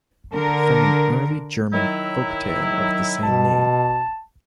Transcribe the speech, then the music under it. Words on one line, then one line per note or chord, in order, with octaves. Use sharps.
From an early German folk tale of the same name.
D3 A#4
D#3 F#3 E4
B2 A5